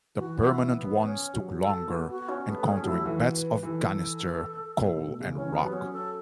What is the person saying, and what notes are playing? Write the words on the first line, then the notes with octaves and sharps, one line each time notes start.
The permanent ones took longer, encountering beds of ganister, coal and rock.
E3 F#4
E4
B3
C#4
F#3
A4
B3
F#4
C#4
A3 B3
C#4
A3
F#3 E4
A3
E3 F#4
B4
E3 A4
B2
A2
B2
C#3
E3 C#4
B3
F#3
C#4
A4